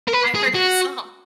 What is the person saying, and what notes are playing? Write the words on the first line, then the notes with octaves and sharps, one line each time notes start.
I heard the song.
A#4
B4
G#4
F#4